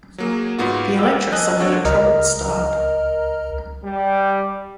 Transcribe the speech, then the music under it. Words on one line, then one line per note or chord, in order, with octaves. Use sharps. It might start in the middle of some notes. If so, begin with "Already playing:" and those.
The Electra suffered a troubled start.
F#3 A#3 G#4
G#2 B3 F4 F#4
G5 E6
D#5 G#5 A5 F#6
C4 D4 F#4 A4 C#5 D5
C#2 A#4 D#5 A#5 F6
G3